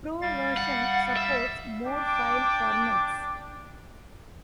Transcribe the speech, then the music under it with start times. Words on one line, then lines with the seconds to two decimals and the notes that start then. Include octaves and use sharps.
Pro version supports more file formats.
0.21 G3 F5 A6
0.57 F#5
1.16 E5
1.86 D4 D5 G5 D6